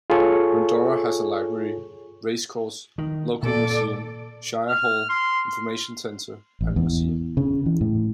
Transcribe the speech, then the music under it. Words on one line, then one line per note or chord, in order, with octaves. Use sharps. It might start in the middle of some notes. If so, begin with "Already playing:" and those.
Windorah has a library, race course, local museum, shire hall, information centre and museum.
F4 G#4 A4 C#5 G#5 C#6
D#3
A#2 A4 D5
F6
C6
A1
E2
C#3
E3
A2